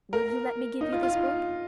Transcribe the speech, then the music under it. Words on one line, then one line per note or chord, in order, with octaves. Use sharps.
Will you let me give you this book?
A#4
D#4
F4
F4